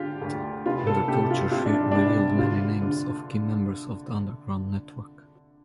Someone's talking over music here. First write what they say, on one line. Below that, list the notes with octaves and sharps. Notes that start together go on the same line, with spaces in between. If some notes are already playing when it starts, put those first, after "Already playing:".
Under torture she revealed many names of key members of the underground network.
Already playing: D3 F4 G4
D2
F1 F4
A4
C3 G4
F4
C3 F4
D4
F1 D4
D3 F4
D3